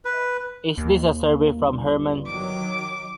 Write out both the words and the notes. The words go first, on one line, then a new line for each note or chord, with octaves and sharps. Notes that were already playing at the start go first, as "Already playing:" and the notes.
Is this a survey from Herman?
B4
D#2 A#3
G1 G2
D#3 F#3 D6